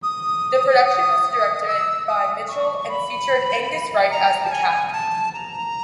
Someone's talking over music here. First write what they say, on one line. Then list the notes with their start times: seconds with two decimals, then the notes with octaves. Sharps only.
The production was directed by Mitchell and featured Angus Wright as The Cat.
0.03 D#6
0.85 D#6
1.67 E6
2.08 D#6
2.48 C#6
2.89 B5
4.11 A#5
4.44 A5
4.52 G#5
4.87 G#5
4.92 A5
5.34 A#5